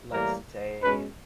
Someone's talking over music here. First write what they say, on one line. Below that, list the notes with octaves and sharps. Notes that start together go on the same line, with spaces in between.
let's say,
A2 E3 G3 A#3 A#4
B2 G#3 C#4 B4